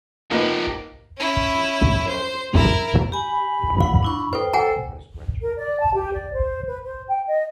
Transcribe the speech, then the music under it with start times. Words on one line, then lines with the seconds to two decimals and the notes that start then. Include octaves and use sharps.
She was conferred with the prestigious Peter Caws Prize for the best postgraduate dissertation.
0.31 F3 A#3 D#4 G4 B4
1.17 C#4 E4
2.09 C5
2.53 E4 A#4
3.12 G4 G#5 B5
3.80 E4 F5 F#5
4.03 D4 E4 C#6
4.33 A4 B4 C5 G5
4.53 A4 F#5 G#5 A#5
5.41 A#4
5.58 D5
5.80 A5
5.94 G4
6.13 D5
6.33 C5
6.68 B4
6.84 C5
7.08 G5
7.28 D#5